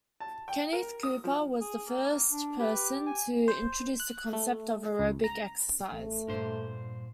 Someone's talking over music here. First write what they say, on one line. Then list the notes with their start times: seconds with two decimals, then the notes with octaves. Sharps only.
Kenneth Cooper was the first person to introduce the concept of aerobic exercise.
0.20 A5
0.48 G5
0.73 A#4
1.03 D#6
1.24 F3
1.61 G#4
1.88 A#3
2.30 D4
2.59 G4 B4
3.06 G#5
3.48 C5
4.00 F#6
4.33 A3
4.99 C#2
5.24 A#5
5.92 A1 A3
6.28 G2 A#2 C5